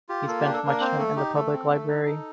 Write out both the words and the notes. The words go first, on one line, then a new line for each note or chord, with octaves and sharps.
He spent much time in the public library.
F4 G4
A#3 A4
D4 G4
A4
A#3 A#4
C4 C5
A3 A4
D#4 G4
A3 A4
C4
A3
D#4
D#4